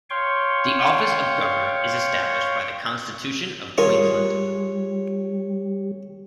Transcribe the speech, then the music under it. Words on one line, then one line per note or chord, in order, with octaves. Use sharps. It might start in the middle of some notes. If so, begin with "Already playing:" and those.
The office of Governor is established by the Constitution of Queensland.
C#5 F5 G5 C6 C#6
G3 F4 G#4 A#4 C#5